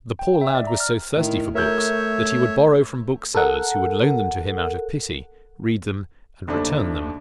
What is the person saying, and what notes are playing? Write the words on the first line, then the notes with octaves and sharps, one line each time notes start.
The poor lad was so thirsty for books that he would borrow from booksellers who would loan them to him out of pity, read them and return them.
G5
E5
D5
A#5
F6
A2 D#3 E4
A3 A#4 C#5 E5 G6
A4 A#4 F#5
F#1 D#2 D3 A3 D4